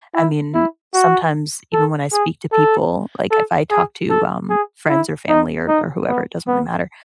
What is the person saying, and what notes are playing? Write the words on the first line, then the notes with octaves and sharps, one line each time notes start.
I mean, sometimes even when I speak to people, like if I talk to, um, friends or family or or whoever it doesn't really matter,
E4
E4
F#4
A4
G#4
A4
A4
G#4
A4
G#4
E4
D#4
D#4
B3
B3